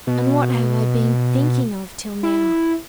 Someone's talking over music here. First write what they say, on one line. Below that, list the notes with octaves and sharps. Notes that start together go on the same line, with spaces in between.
"And what have I been thinking of till now?"
B2
E4